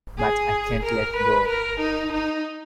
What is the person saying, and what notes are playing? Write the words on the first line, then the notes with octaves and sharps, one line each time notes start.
But I can't let go.
G#4
A#4
B4
A#4
D#4
D#4